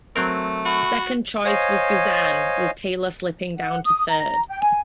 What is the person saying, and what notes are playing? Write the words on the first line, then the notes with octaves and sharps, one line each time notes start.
Second choice was Guzan with Taylor slipping down to third.
F#3 A3 C4 A#4
F#4 B5
C5 C#5 D#5 F5 G#5
F#5
D#6
A#5
G5
G#5